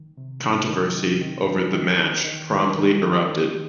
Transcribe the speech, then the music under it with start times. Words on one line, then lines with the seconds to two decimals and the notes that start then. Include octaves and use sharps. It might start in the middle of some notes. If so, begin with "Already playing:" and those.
Controversy over the match promptly erupted.
Already playing: D#3
0.17 C3
0.44 D#3
0.69 D#3
0.95 D#4
1.21 D#3
1.48 D#4
1.74 D#3
1.99 D#3
2.25 D#3
2.51 D#3
2.77 D#3
3.03 D#3
3.29 D#4